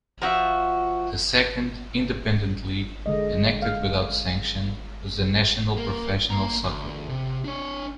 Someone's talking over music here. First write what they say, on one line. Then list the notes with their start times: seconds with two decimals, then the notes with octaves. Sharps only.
The second, independent league, enacted without sanction, was the National Professional Soccer League.
0.22 F3 F#4 E5
3.06 D3 G#3 D#5
3.62 F5
5.77 A#3
6.30 A#3 A#5
6.64 D2
7.09 C3
7.45 D4 C#5